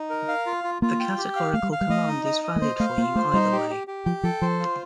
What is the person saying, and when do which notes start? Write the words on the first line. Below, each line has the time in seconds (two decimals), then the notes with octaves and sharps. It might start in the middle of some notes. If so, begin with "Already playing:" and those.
The categorical command is valid for you either way.
Already playing: D#4
0.10 A#4
0.28 F5
0.46 F4
0.64 F4
0.82 A#3 F4
1.00 G5
1.18 G4
1.36 F5
1.53 A3 F5
1.63 G3
1.72 F5
1.81 G3
1.90 A3 D#5
2.08 D#4
2.25 D#5
2.44 D#5
2.56 A3
2.62 A#3 C5
2.80 A3 F5
2.98 A#3 F4
3.15 A3 C5
3.34 G3 D#4
3.52 G4
3.70 G4
3.87 G4
4.06 F3 G5
4.23 F3 A4
4.42 F3 C5
4.60 F4